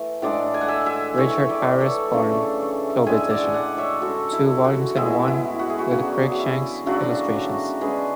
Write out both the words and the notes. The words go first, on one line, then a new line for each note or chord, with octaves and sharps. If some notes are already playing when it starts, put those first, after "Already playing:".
Richard Harris Barham Globe Edition, Two volumes in one, with Cruikshanks' Illustrations.
Already playing: E3 A3
A2 G#3 D4 D5 F#5
G#5
F#5
E5 G#5
E5 G#5
A2 E3 A3 C#5 E5
B4 D5
A4 C#5
C#3 E3 A3 D4
A2 G#3 D4 E5 G#5
D5 F#5
G#5
D5 F#5
C#5 E5
D3 G#3 C#4 F#4 A4
E4
F#4
A2 G#3 B3 E4 G#4
E4
F#4
G#4
F#4
C#3 F#3 B3 D4 F#4
G#4
F#4
E4
C#3 F#3 A3 D4 F#4
D3 G#3 C#4 G#4 B4